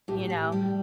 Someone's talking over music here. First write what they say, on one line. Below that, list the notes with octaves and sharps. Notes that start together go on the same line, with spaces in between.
You know?
A2 G4
A2
G3